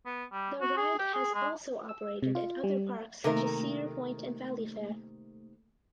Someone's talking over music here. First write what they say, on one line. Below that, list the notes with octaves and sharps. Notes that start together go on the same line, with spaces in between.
The ride has also operated at other parks such as Cedar Point and Valleyfair.
B3
G3
F#4
G#4
G4
G#4
G#3
E6
C3
F4
G3
C3 D#3 A3 A#3 A#4